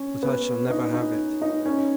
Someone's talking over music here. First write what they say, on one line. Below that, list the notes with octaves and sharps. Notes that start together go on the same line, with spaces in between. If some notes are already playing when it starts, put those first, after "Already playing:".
"But I shall never have it."
Already playing: C#4
B3
D#4
D#4
D#4
C#4